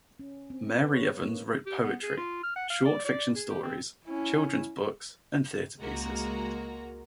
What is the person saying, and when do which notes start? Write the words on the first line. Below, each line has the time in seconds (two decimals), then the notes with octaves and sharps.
Mari Evans wrote poetry, short fiction stories, children's books, and theater pieces.
0.19 C#4
0.50 C4
0.81 B4
0.92 C#5
1.22 A#3
1.66 G4
1.84 B3
2.02 G#4
2.17 F4
2.43 F6
2.56 F#5
2.70 F5
2.85 D5
3.05 D5
3.36 G#4
3.50 G4
3.63 C4
4.04 C#4 E4
5.80 C#2 G#3 A#3 F#4 A#5